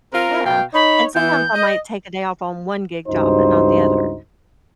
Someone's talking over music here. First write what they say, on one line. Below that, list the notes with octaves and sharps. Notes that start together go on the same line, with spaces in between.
Yeah, and sometimes I might take a day off on one gig job, but not the other,
C4 F4 A#4
B2 F5 G5
D#4 C#5 B5
E3 B3 G6
D#5
C#2 G2 D#4 F#4 C5